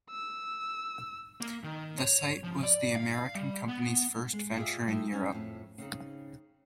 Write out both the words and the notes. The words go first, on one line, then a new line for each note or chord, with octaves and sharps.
The site was the American company's first venture in Europe.
E6
A#3
D#3
C#5
F3
D5
F5
G3
B3
G#3
F4 G4 G#4 B4 D5 E5
G3 D#4 F4 A4 E5
G3 C#4 G#4 C5 G5 G#5
F2 A2
C#3 C4 D#4